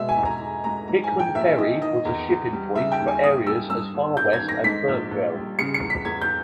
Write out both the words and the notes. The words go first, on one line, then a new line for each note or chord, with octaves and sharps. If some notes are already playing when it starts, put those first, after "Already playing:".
Hickman Ferry was a shipping point for areas as far west as Burkeville.
Already playing: B2 G#3 E5
G#5
E2
A#5
E2
G#3 A#5
G#2 A#5
G#5
A#1
G5
A#1 E5
E3 D#5
D#3 D#5
E2
E2
G3
C#3 E5
G5
D#2
G#5
D#2 D#6
G3 E6
G2 E6
G1
G1 G6
G#6
D#3
A#6
G#2 B6
A#1
A#1
G3
C#3 C#7
C#7
E2
B6
E2 G#6
G6